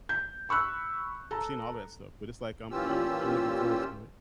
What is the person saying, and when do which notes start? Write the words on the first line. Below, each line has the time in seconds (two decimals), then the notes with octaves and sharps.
seen all that stuff, but it's like I'm I'm looking forward to it.
0.09 G6
0.49 B5 C#6 E6 F#6
1.31 A4 A#5
2.71 A#2 E3 C#4 F4 G4 E6